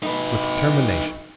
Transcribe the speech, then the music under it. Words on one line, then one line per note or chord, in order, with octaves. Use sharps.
'With determination.
D#4 B4